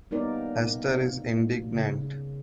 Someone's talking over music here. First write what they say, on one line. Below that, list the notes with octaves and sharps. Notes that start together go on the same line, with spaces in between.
Hester is indignant.
G3 A#3 B3 D#4 A#4 D5
C#3